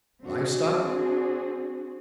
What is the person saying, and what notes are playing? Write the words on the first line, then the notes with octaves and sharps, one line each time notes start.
"Live stock?"
C4 D4 F#4 G#4